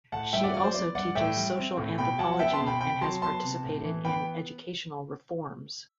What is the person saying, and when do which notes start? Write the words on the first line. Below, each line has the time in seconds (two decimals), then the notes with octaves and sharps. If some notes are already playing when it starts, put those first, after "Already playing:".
She also teaches social anthropology and has participated in educational reforms.
0.12 A2 F#5 A5
0.33 G2 E5 G5
0.43 D5 F#5
0.54 F#3 D5
0.64 C5
0.74 B3 D5
0.95 G2 D5 F#5
1.15 A2 E5 G5
1.36 G3
1.57 C4
1.77 A2
1.98 B2 G5 B5
2.19 F#3 F#5 A5
2.33 F#5
2.39 B3 E5 G5
2.53 A5 C6
2.60 B2
2.67 G5 B5
2.80 C3 G5 B5
3.01 F#3 A5 C6
3.22 B3 A5 C6
3.42 C3
3.64 A2
3.84 E3
4.05 B3 G5 B5